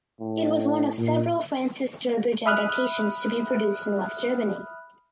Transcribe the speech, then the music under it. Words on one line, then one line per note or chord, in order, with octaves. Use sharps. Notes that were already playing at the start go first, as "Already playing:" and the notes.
It was one of several Francis Durbridge adaptations to be produced in West Germany.
A2
A#2
E5 B5 D#6 F6 F#6